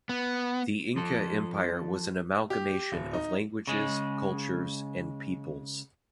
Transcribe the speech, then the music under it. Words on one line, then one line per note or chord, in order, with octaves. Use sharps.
The Inca Empire was an amalgamation of languages, cultures and peoples.
B3
F3 A4
G4
D1
D#4
C#3 G#3